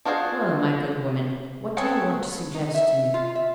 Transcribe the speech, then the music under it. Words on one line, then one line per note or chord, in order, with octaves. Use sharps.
Well, my good woman, what do you want to suggest to me?'
D4 F4 F#4 G#4 C5
C4 G#4 A4 B4 C#5
D#4
E5
F4
E5